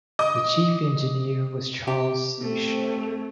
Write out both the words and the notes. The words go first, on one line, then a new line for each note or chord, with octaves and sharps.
The chief engineer was Charles C. Schneider.
D#5 D6 D#6
G4
A3 C4